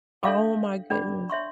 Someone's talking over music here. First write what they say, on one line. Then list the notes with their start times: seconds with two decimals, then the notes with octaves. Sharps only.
Oh my goodness.
0.25 D4 A4 C#5 E5 F5
0.90 D4 D5 B5 D6
1.30 C#5 E5 C6 C#6